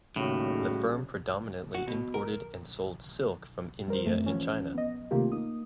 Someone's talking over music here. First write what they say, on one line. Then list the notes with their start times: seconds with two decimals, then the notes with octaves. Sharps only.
The firm predominantly imported and sold silk from India and China.
0.16 D#2 A2 C#3 G3 F#4
1.75 F#4
1.88 B2
2.14 A#4
3.88 G3 A#4 C5
4.06 F#2 A3 C4
4.26 E3 F3 C#4
4.74 B3 D#5
5.11 C3 D#3 A3 A#3 F4 G4
5.32 A#3 D#4 D#6